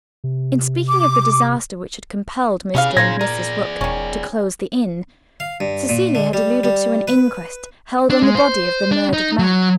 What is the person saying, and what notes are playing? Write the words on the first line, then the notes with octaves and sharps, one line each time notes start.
In speaking of the disaster which had compelled Mr. and Mrs. Rook to close the inn, Cecilia had alluded to an inquest held on the body of the murdered man.
C3
D6
C3 E3 C#4 G#4 E5 F5
A#2 D#4 F4 C5 G#6 A#6
G#4 A#4 D5
E1 D#3 C#4
F5
G2
A#2
D3
G3
G3
B4
D4
G#3
C5
D4
D#4
F#3